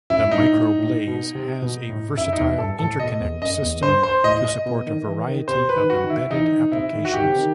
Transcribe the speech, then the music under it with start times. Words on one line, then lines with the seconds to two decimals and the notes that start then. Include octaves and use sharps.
The MicroBlaze has a versatile interconnect system to support a variety of embedded applications.
0.10 F#2 E4
0.27 A2
0.31 G2 D#4
0.52 A2
0.79 A2
1.07 B2
1.35 C3
1.62 B2
1.89 A2
2.17 F#2 E4
2.33 D#4
2.37 E2 E4
2.58 G2 A4
2.79 A2 A4
3.00 B2 D#5
3.20 E2
3.42 F#2 D#5
3.62 E2
3.83 G2 C5
4.03 C5
4.24 A2 D#5
4.45 D#5
4.66 B2
4.87 D#3
5.06 E3
5.28 D#3
5.48 C3 C5
5.69 B4
5.76 D#3
5.90 F#4
6.04 D#3
6.10 E4
6.31 E3 D#4
6.52 D#3
6.72 C3 E4
6.93 D#3
7.05 F#4
7.13 D#3 G4
7.26 C3
7.38 D#3